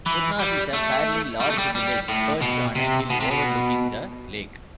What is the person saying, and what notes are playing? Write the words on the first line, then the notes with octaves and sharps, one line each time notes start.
Kournas is a fairly large village perched on a hill overlooking the lake.
E3
G3
A3
G3
A3
G3
G3
A2
B2
C3
B2
C3
B2